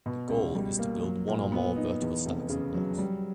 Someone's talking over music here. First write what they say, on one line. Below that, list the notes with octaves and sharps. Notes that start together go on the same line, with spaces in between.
The goal is to build one or more vertical stacks of blocks.
B2
C#2
G3
A#3
F#3
A#2
B3
D#4
E2
F1
C#3
F#3
G3